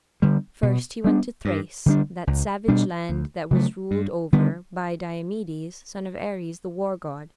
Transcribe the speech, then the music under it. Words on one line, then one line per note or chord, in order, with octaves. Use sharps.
First he went to Thrace, that savage land that was ruled over by Diomedes, son of Ares, the war god.
D3 G3 B3
B2
G3 B3 D4
G2
D3 G3 D4
C#2
B2 G3 D4
D2
C#3 F#3 A3
G2
D3 G3 B3